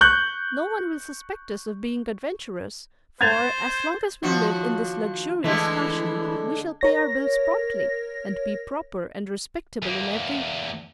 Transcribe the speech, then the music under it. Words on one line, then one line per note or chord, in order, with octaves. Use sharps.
No one will suspect us of being adventurers, for as long as we live in this luxurious fashion we shall pay our bills promptly and be proper and respectable in every way.
C#6 F#6 G6
C5 G#6 A6 F7
D#2 F3 F#4
D3 E3 G#3 A3
A#4 C#5 A#6
E2 A#3